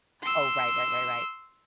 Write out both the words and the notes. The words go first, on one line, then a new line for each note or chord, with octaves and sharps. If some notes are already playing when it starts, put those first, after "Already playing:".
Oh, right, right, right, right.
C6 E6